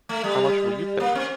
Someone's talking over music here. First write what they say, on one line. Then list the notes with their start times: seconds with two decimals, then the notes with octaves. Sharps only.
How much will you pay?
0.09 A3
0.24 G3
1.00 A#3
1.15 C4